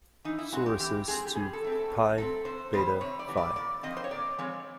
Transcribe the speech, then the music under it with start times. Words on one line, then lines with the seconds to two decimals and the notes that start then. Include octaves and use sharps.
Sorosis to Pi Beta Phi.
0.24 E3 D#4
0.39 E4
0.52 G#3 C4 F#4
0.66 G4
0.80 E3 G4
1.07 G#3 C4 G#4
1.27 G4
1.35 B2 G#4
1.53 A4
1.63 F#3 A3 C4
1.72 A4
1.90 B2
2.18 F#3 A3 C4 A4
2.45 C3 C5
2.73 E3 G3 B3 C5
3.01 C3 C#5
3.19 D5
3.28 E3 G3 B3
3.37 D5
3.56 A#2 D5
3.83 F3 G#3 C4 D#5
3.97 C5
4.04 C#5
4.11 A#2 D5
4.38 F3 G#3 C4 C#5